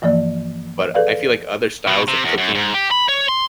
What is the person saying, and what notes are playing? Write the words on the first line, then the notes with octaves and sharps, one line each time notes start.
But I feel like other styles of cooking
G2 E3 F3 A#3 D5
G#4 A4 B4 D5 F5
B2
C3
E2
F#2
G#2
G4
B5
C#5
C6